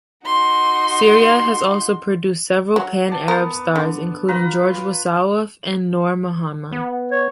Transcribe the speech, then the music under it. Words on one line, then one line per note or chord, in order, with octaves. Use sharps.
Syria has also produced several pan-Arab stars, including George Wassouf and Nour Mahana.
D#4 F#4 C6
F#3
D5 A5
B3 A#4
D3
F4 B4 A#5
B3
C#5